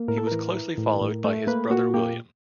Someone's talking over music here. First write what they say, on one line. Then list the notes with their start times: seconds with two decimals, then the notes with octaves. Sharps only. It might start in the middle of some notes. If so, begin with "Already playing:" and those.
He was closely followed by his brother William.
Already playing: A#3
0.08 A2 A#4
0.18 A4
0.27 E3 A#4
0.54 E3
0.78 A2
1.01 A2
1.24 A3
1.47 A#3 B4
1.70 A#2 F#4
1.94 A#3 G4